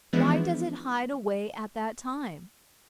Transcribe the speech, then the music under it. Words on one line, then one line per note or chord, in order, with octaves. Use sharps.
Why does it hide away at that time?
E3 F3 G#3 B3 D4 E4